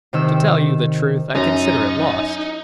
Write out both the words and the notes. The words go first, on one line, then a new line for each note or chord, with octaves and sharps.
"To tell you the truth, I consider it lost."
C3 D#3 E6
F#2 D#4